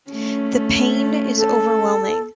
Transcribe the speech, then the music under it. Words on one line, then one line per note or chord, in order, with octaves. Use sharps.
The pain is overwhelming.
A3 C#4
A4